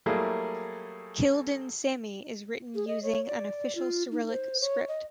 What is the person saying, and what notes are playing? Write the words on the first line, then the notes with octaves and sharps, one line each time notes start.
Kildin Sami is written using an official Cyrillic script.
F#3 G3 A3 A#3 E4 G#4
G#4
D#5
C#5
D5
F4
D#4
C5
C#5
D#5